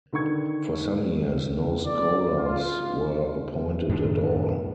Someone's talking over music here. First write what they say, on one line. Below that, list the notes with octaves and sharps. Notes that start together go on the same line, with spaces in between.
For some years no scholars were appointed at all.
D3 D#3 B4 C#6 G#6
D5
F4
F#2 A2 D#3 D4